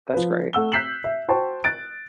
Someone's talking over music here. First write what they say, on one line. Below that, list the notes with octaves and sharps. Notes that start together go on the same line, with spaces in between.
That's great.
F3 B4
A3 F#5 E6 G7
F#6 G6 B6 C7 E7 F#7
E5
F#4 C5 G5 A5 C#6
F#6 A6 D7